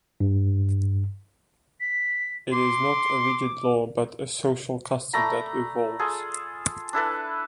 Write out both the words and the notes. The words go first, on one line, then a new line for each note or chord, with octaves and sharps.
It is not a rigid law but a social custom that evolves.
G2
B6
C6 D6
A3 D5 A#5 B5
F4 G#4 A4
D4 E4 A4 B4